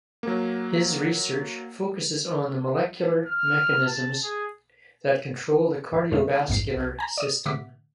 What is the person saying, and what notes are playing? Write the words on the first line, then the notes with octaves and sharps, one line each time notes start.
His research focuses on the molecular mechanisms that control the cardiovascular system.
F#3 A#3
F6
A5
G#4
F2 B2 G#3 C#4 E5 F5
A#1 F2 G#2 C7
C2
G#5 A#5
D5 D#6
A2 D3 E5 F#5 D6 B6